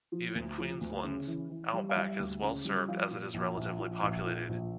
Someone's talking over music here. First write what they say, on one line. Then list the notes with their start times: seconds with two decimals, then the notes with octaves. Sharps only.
Even Queensland's outback is well served as it is relatively populated.
0.12 F3
0.35 D2
0.58 F3
0.81 D2
1.04 C#3
1.27 E3
1.50 E3
1.73 G3
1.89 F5
1.96 G3 E5
2.20 D2
2.42 C#3
2.65 G3
2.88 F3 F5
3.11 A#2
3.34 A#1
3.57 A#1
3.79 F3
4.03 A#1
4.26 A#2
4.49 A#1